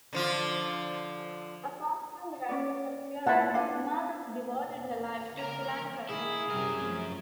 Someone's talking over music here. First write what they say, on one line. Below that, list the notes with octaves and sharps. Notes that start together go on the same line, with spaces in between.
Apart from raising her children, Murdoch devoted her life to philanthropy.
D3 F3 F4
C#4 D5
E4 F4 B4 F#5 A5
D4 F5 G#5
A#4 A#5
D#3 A#3 E4 G#4
F#2 C3 G3 A#4
F3 A3